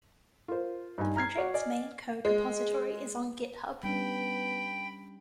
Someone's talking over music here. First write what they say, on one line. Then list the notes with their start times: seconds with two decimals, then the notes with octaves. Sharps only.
The project's main code repository is on GitHub.
0.48 F4 A#4 C5
0.98 G2 D#4 G#5
1.16 A#5 F6 G#6 C7
1.37 F#4 C#5 D5 F#5
1.54 D5 D#5 G#5
2.25 G#3
3.83 G3 B3 C#4 D4 G5 B5